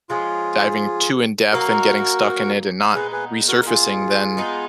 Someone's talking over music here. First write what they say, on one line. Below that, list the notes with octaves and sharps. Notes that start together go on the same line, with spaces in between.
diving too in-depth and getting stuck in it and not resurfacing, then
F3 G#3 C#4 F4 G#4
F#3 A#3 D#4 F#4 A#4
A#2 G#3 B3 D#4 G#4 B4
G#4 B4
F#4 A#4
A#4
F4 G#4
G#3 B3 D#4